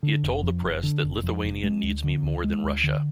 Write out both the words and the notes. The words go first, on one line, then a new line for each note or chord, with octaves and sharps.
He had told the press that, Lithuania needs me more than Russia.
D3
F1
F2
F1
D3
F1
F2
F1
G#3
D2
D3
D2
G#3
D2
D3